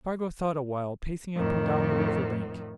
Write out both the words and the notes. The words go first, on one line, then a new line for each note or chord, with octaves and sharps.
Spargo thought awhile, pacing up and down the river bank.
F2 A2 D#3